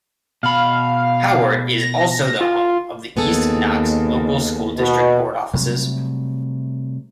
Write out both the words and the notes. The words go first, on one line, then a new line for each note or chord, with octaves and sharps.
Howard is also the home of the East Knox Local School District board offices.
B2 F5 B5
A#6
F4
D#2 B3 G#4 A4
B2
C3 F#3 G3 A3